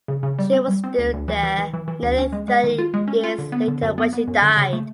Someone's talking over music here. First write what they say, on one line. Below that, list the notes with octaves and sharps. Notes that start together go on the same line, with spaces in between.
She was still there nearly thirty years later when she died.
C#3
C#3
G3
C4
G3
C4
D2
D2
E3
E3
E3
E3
E3
D2
C#4
G#3
G#3
D#3
F4
G#3
C#4
F4
D3
B3
D3
F#2
B3
B3
F#2
D3
C#3
A3